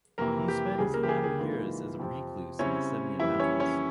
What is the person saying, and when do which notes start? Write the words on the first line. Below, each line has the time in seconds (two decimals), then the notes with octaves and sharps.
He spent his final years as a recluse in the Semien Mountains.
0.18 F2 C3 E3 A#3 A#4
0.48 G4
0.78 C#2 C#3 G3 G#4
0.94 A#3 A#4
1.03 G4
1.09 G#4
1.24 G#4
1.39 G#2 E3 A#3 F4
1.99 F2 C3 F3 C4
2.59 C#3 G3 C4 C#4 E4 C#5
3.20 F2 E3 G3 A#3 E4 E5
3.40 C#4 C#5
3.60 C#4 C#5